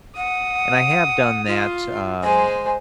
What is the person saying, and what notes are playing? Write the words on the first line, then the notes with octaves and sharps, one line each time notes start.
and I have done that, um,
F#5 D#6
F4
G#3 C5 G#5